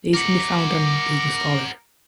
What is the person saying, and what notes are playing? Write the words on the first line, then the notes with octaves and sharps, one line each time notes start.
These can be found on Google Scholar.
A#4 F#5 D6